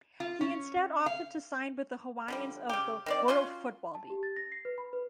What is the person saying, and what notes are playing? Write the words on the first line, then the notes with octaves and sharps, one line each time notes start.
He instead opted to sign with The Hawaiians of the World Football League.
F4
C#4
F5
D3 F3 G3
C#3 G4
D#3 C4 D5
C#4 F4 F#4 C6
A5
G4
A6
A#6
C7
B4
B5
B4